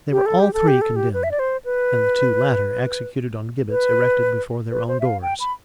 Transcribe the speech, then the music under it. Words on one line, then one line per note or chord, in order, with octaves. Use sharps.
They were all three condemned, and the two latter executed on gibbets erected before their own doors.
G4
A4
G4
A4
G4
A4
G4
B4
E5
D5
C5
B4
B4
B4
C5
E5
F5
G5
B5